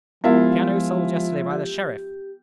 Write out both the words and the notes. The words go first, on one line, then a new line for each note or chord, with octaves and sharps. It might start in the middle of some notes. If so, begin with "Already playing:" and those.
Piano sold yesterday by the sheriff.
F3 G#3 B3 E4 F4 G4 A#4 F5
G4